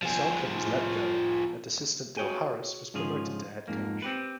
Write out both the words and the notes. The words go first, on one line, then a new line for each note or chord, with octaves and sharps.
Nissalke was let go, and assistant Del Harris was promoted to head coach.
F3 G#4
F#4 G#4 C#5 G5 G#5
G#2 C#3 F3 F4 G#4
F2 G#2 A#3
C4 G4 B4